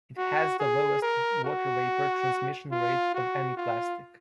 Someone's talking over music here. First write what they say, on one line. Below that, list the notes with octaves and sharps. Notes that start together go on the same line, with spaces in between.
It has the lowest water vapor transmission rate of any plastic.
F#4
G#4
A#4
F#4
F4
F#4
F4